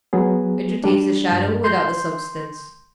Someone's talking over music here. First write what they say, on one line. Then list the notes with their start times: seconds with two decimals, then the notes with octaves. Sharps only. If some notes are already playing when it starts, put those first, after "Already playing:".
It retains the shadow without the substance.
0.13 F#3 B3 G#4
0.84 G3 D4
1.32 G2
1.64 C6 G6